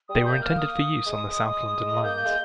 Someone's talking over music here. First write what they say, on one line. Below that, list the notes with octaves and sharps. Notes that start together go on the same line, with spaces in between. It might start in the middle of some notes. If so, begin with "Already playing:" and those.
They were intended for use on the South London lines.
G3 D#6
G6
A#3
F6
A#3
D#6
G#3
A#3 G6
G#3